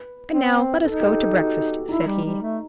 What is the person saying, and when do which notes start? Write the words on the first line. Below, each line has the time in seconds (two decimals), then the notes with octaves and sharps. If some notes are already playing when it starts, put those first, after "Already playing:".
"And now let us go to breakfast," said he.
Already playing: B4
0.32 C4
0.84 D#4 A4
1.01 G4
1.10 A4
1.36 F#4
1.89 D#4 E4
2.06 G3
2.24 G3
2.42 A3